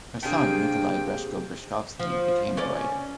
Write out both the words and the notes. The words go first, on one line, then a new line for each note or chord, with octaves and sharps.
Her son Nikolay Breshko-Breshkovsky became a writer.
C3 A#3 D4 G#4 G5
F3
C#4 C#5 D5